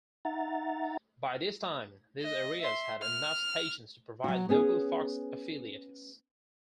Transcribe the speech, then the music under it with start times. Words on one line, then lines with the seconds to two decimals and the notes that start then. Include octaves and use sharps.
By this time, these areas had enough stations to provide local Fox affiliates.
0.25 D#4 E5 F#5 A#5 A6
2.21 D#5
2.61 E5 C6
3.02 F6
4.24 F#3 F#4
4.49 B3 C#4 G#4